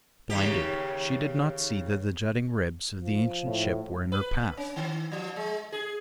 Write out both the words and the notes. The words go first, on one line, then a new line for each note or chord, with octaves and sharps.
Blinded, she did not see that the jutting ribs of the ancient ship were in her path.
D#2 C#3 G4
F3
A2
B4
C#4
D#3
F3
G#3
G#4